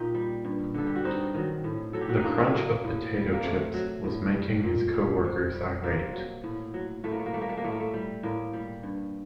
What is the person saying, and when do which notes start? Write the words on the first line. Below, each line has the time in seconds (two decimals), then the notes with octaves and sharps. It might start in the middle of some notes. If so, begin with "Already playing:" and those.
The crunch of potato-chips was making his co-workers irate.
Already playing: A#2 D#4 G4
0.15 G3
0.45 G2
0.74 D3 G3 A4
0.86 G4
0.96 F#4
1.04 G2 C4 D#4
1.34 D#3 F#3
1.64 A2
1.93 F#3 A4
2.01 G4
2.09 F#4
2.17 D#4
2.24 A2 A#3 D4
2.47 A3
2.53 F#3 A#3
2.84 A2
3.14 G3
3.32 A#3
3.43 C3 A3
3.74 F#3
4.04 A2
4.34 G3
4.64 A#2
4.94 G3
5.24 C3
5.54 G3
5.83 C3 A#3
6.13 F#3
6.44 A2
6.74 F#3
7.04 A2 A3
7.11 A#3
7.19 A3
7.26 A#3
7.33 G3 A3
7.42 A#3
7.49 A3
7.57 A#3
7.64 A2 A3
7.72 A#3
7.80 A3
7.94 G3
8.23 A2 A#3
8.53 G3
8.83 G2